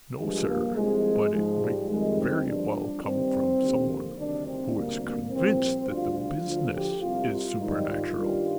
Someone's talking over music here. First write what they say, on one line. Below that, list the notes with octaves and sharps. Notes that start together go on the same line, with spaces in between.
"No, sir, but it might very well come from someone who was convinced that the business is supernatural."
G2 F3 G#3
A#3
C2 C3 F3 G#3
G#2 F3 G#3
G3
F2 D#3 G3 G#3
C4
G2 F3 D4
G2 D#3 G3 C4
D#2 D3 F3
A#3
D2 C3 D#3 G3 D4
C4
D2 C3 G3 A#3
A#3
C2 A#2 F3 C4
D2 D3 G3 F4
F4
D2 D3 F3
G4
C2 C3 G3 F4
F4
G#2 D#3 G3 D#4
F4
G2 D#3 G3